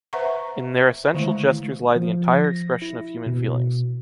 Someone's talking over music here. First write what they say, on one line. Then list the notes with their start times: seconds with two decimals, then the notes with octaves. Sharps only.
In their essential gestures lie the entire expression of human feelings.
0.13 B4 C5 E5 F#5 A#5 C#6
1.14 D3 D#3 G#3 A3 E4
1.96 F3
2.44 A#6
2.82 E4
3.26 B2